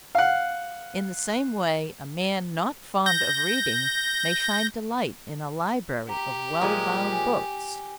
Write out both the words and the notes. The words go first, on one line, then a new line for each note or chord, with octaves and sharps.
In the same way a man not fond of reading may find delight in a library of well-bound books.
F5 F#5
G6 A#6
G4 A#5
A#2 F3 G#3 A#5
G#5